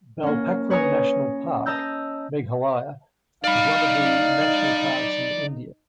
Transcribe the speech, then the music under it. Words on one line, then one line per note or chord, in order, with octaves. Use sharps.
Balpakram National Park, Meghalaya is one of the national parks in India.
A#3 C#4
B4 C#5 G#5 A#5 D#6
D#5 A5 A#5 E6 G6
D#4 D5 F5 B5